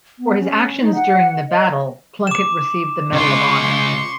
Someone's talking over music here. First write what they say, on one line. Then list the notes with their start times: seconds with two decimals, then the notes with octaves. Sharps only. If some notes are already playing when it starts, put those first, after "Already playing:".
For his actions during the battle Plunkett received the Medal of Honor.
0.19 B3
0.40 C#4
0.81 D#4
0.95 F#5
1.49 D#5
2.27 D6 E7
3.13 C#3 F4 C6 C#6